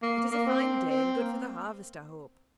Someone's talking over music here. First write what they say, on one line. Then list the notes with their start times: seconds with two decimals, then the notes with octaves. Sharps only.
It is a fine day, and good for the harvest, I hope.
0.02 A#3
0.31 A#3
0.47 C4
0.90 C4
1.19 A#3